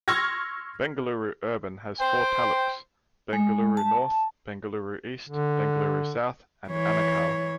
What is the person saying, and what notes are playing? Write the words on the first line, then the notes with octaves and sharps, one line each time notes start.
Bengaluru Urban has four taluks: Bengaluru North, Bengaluru East, Bengaluru South and Anekal.
C6 C#6 E6 F6 G#6 A#6
C5 G5
G#3
A5
D3
E3 C#5